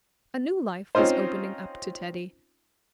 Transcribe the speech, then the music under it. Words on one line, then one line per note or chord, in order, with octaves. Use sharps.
A new life was opening up to Teddy.
C4 C#4 D#4 F4 C5